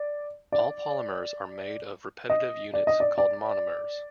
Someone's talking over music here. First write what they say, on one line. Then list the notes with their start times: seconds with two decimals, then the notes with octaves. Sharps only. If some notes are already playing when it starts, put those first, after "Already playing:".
All polymers are made of repetitive units called monomers.
Already playing: D5
0.52 D5
2.29 D#5
2.74 D5
2.87 D#5
3.00 D5
3.18 D5